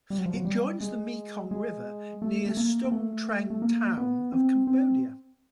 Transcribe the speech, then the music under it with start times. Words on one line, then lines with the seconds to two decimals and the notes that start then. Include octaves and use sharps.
It joins the Mekong River near Stung Treng town of Cambodia.
0.10 G3
0.18 F#3
0.26 F3
0.34 F#3
0.45 G3
0.81 G#3
1.51 G#3
2.22 A3
2.46 A3
2.57 A#3
2.84 A#3
2.92 A3
3.50 A3
3.62 A#3
3.98 B3
4.32 C4
4.67 C4